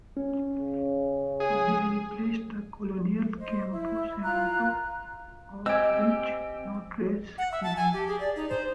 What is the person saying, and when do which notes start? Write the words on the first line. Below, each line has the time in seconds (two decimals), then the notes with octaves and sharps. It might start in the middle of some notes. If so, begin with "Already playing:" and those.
They replaced the colonial Campo Santo, of which no trace remains.
0.17 C#4
0.59 C#3
1.40 G#4
3.38 C5 D#5
3.72 E4
4.23 F4 A#5 F#6
5.66 C4 G4 D#5 G#5 E6 G#6
7.38 F#5
7.52 E5
7.63 A5
7.77 G#5
7.93 G4
8.08 G#4
8.20 D5
8.36 D#4
8.49 C5